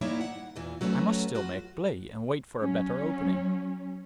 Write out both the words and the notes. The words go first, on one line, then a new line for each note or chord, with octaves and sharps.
I must still make play and wait for a better opening.
G3 A#3 D#4 E4 C#5 E5
F#5
E2 A#2 E3
F#3 A3 C#4 F4 F#4 B4
F#3 F4 F#4
F#3 C#4